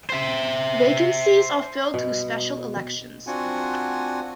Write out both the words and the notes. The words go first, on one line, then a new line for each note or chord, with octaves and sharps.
Vacancies are filled through special elections.
C5 E5
B2
C4 D4 F4 F#4 F#5 G#5